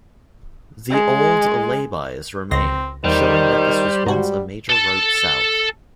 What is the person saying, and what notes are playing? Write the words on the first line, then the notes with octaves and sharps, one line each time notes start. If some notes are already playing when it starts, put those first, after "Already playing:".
The old lay-bys remain, showing that this was once a major route south.
G#3
C#2 C4 C6 A#6
E2 D#3 G3 C5
G#2 G3 F#4
A4 A5